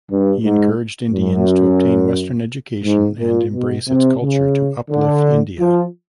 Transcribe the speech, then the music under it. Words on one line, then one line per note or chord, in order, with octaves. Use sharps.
He encouraged Indians to obtain western education and embrace its culture to uplift India.
G2
G#2
F#2
G#2
A#2
B2
C3
C#3
D3
F3